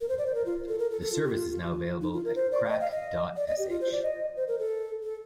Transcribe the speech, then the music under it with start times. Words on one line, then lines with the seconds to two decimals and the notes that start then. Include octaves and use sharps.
The service is now available at crack dot sh.
0.01 A#4
0.09 C5
0.18 D5
0.26 C5
0.35 A#4
0.46 F4
0.68 A4
0.79 A#4
0.91 A4
1.01 A4
1.12 F4
1.24 G4
1.35 F4
1.52 F4
2.01 D#4
2.14 F4
2.25 A#4
2.36 C5
2.52 D5
2.65 F5
2.69 D#5
2.80 F5
2.91 D#5
3.37 D5
3.47 D#5
3.59 G4
3.69 F4
3.81 C5
3.92 D5
4.03 D#5
4.36 C5
4.48 A#4
4.59 A4
5.03 A4